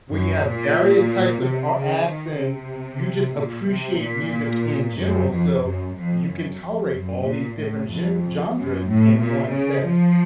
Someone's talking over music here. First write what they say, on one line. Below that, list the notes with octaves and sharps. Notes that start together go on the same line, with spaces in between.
where you have various types of, uh, acts, and you just appreciate music in general, so you can tolerate all these different gen genres in one setting,
F#2
A#2
C3
C#3
D#3
C3
A#2
C3
A#2
F#2
F2
F#2
F2
F#2
F2
F#2
A#2
A2
F2
F#2
A2
A#2
C#3
F3